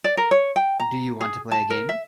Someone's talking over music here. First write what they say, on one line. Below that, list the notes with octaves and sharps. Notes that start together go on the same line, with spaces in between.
Do you want to play a game.
D5
A#4
C#5
G5
A#5
G#4
A5
A#4
E5